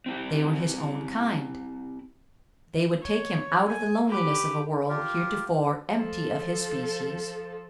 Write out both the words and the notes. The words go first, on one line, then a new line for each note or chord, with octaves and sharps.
They were his own kind, they would take him out of the loneliness of a world heretofore empty of his species.
C4 E4 G4
C#5
G#5
G4 B4
F4 G4 A#4
F3 A4